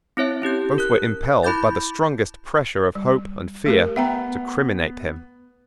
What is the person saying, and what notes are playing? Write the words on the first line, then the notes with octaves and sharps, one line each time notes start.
Both were impelled by the strongest pressure of hope end fear to criminate him.
C4 E4 C#5 E5
C#4 E4 G4 G6
A#4 F#6
E4 B5 D6 G6 A6
G3
A3 G4 A#4
B3 E5 G5 A#5